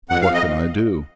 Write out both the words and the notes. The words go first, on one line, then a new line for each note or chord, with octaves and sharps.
But what can I do?
F2 F#5
F5
F2
D#5